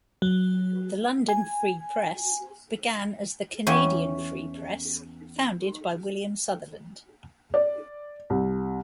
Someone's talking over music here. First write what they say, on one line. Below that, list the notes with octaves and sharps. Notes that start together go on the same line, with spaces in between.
"The London Free Press" began as the "Canadian Free Press", founded by William Sutherland.
F#3
G#5
E2 C#4 G5
D5
C2